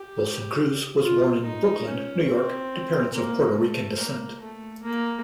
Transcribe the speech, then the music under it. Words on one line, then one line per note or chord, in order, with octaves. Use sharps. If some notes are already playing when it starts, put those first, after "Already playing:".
Wilson Cruz was born in Brooklyn, New York to parents of Puerto Rican descent.
Already playing: G4
F4
D#4
C#4
C4
A#3
A3
A#3
A3
A#3